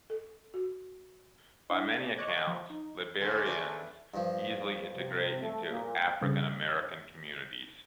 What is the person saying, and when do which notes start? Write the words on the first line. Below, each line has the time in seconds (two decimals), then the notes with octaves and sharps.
By many accounts, Liberians easily integrate into African-American communities.
0.10 A4
0.54 F#4
1.70 D4 E4
1.98 G#4 D5
2.18 C#5 D#5 C#6 D6 F#6 G#6
2.47 F3
2.70 D#4
3.21 D3 A#3 C4 C#4 A4 F#5
3.45 A3 G#4 B4 D5
4.14 G2 F3
4.96 C3
5.41 A3 A4
5.70 A#2
6.21 G2 C#3